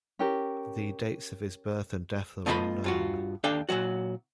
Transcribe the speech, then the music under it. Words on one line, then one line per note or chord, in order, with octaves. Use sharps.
The dates of his birth and death are unknown.
C#4 G4 A#4
A3 B3 F4 D#5 G#5 B5
G2 F4 F#4
D#2 D4 A4 F5 G5
A#2 D#3 F#3 F#4